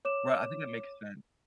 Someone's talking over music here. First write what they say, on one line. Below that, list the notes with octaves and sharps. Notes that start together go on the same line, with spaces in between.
right, I think that makes sense.
C#5 D6 E7